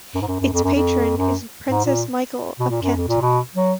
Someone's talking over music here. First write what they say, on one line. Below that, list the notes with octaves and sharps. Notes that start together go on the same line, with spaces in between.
Its patron is Princess Michael of Kent.
F#2
G#2
F#2
F#2
F2
F#2
F2
F#2
G#2
A#2
B2
A#2
F#2
F2
A#2
B2
F#3